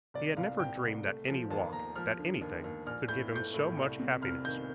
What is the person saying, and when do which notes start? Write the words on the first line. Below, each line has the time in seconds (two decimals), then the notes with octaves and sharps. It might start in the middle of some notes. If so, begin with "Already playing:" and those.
He had never dreamed that any walk--that anything--could give him so much happiness.
0.14 C2 D5
0.37 C2 F5
0.59 C2 G5
0.83 C2
1.05 A3
1.28 F3
1.51 D#2 A5
1.73 D#2 A#5
1.95 F3 F6
2.19 D3
2.42 D#2
2.64 D#2
2.86 A#1 F6
3.08 A2 G6
3.32 A3 G6
3.54 A2
3.77 C2
3.99 C3
4.22 C2 F6
4.45 D#3 G6